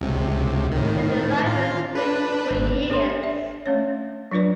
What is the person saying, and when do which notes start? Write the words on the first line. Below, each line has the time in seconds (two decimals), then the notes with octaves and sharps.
There the library stood for years.
0.01 C#2 C3
0.71 A2 D#3
1.46 F4
1.95 D4 B4
2.51 G#1
2.90 D4 G4 A4 C#5 C6
3.23 D5 E5
3.66 A3 C#4 C#5
4.31 F#3 D4 F4 B4 D5